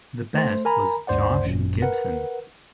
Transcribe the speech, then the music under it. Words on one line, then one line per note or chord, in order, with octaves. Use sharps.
The best was Josh Gibson.
A3 C5
A#4 G#5 A#5 B5
D2 G2 C5 D5 F#5
G#1 F#2 A#2
A#4 B4 F#5